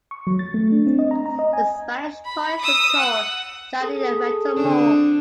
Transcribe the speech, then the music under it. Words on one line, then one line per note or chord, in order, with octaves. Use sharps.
The Spanish toys were called Jadali-Metamol.
C#6
F#3
A6
A3
D4
C4
D#5
A#5
A#5
D#5
G#5
B5
D#6 E6
F#5
G#4 A4
D3 C4 D4